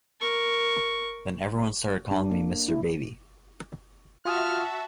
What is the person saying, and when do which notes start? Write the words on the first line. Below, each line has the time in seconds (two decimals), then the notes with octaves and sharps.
Then everyone started calling me Mr. Baby.
0.21 A#4 C#6
2.11 D4
2.31 A#3
2.68 E4
4.25 F4 F#4 E5 A5 D#6 F6